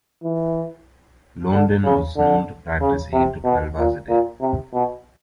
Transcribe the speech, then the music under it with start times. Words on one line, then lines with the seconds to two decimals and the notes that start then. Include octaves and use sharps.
Londin was known to practice eight to twelve hours a day.
0.24 E3
1.53 D3
1.84 C#3
2.17 D3
2.81 C#3
3.13 C3
3.44 B2
3.78 A#2
4.09 A#2
4.41 C3
4.74 B2